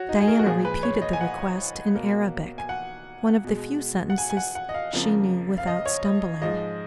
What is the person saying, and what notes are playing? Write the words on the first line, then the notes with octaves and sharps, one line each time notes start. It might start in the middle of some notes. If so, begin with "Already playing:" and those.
Diana repeated the request in Arabic, one of the few sentences she knew without stumbling.
Already playing: F#4 C#5
D#4
G#4
A#4
F#4
A#2 F3 G#3 G#4
B4
C#5
D#5
G#5
F#5
B2 A#3
G#5
F#5
B2 G#3
F#5
G#5
G#5
F#5
F#5
D#5
F5
F2 C#3 F3 A#3
F5
D#5
C#5
D#5
G#2 F3 G#3 D#5